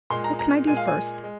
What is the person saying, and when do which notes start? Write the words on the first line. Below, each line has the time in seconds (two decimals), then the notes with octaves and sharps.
What can I do first?
0.10 A#2 G#3 C6
0.24 A#5
0.39 A#5
0.67 A#2 G#3 G#5
0.77 F5
0.87 G#5
1.24 G#3